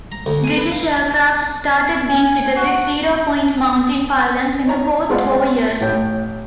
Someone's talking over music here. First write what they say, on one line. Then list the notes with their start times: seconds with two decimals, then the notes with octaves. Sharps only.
British aircraft started being fitted with "Zero-Point" mounting pylons in the post-war years.
0.12 A#5
0.26 D2
0.44 G#5
0.57 B4
0.72 F5
2.08 G#5
2.56 F#4
4.67 D#4 C#5 A#5
5.10 G#3 B3 F4 B4 D5 F#5
5.81 A1 A2 C#5 G5